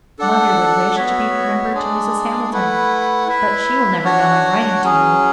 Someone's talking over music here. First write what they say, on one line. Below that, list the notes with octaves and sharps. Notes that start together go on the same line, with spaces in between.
Mother would wish to be remembered to Mrs. Hamilton, but she will never know I am writing to you.
D4 A4 D5 F#5
B3 F#4 C#5 E5
G#3 D4 G#4 D5
A3 E4 B4 F#5
E4 B4 E5
D4 F#4 C#5 F#5
F#3 C#4 G#4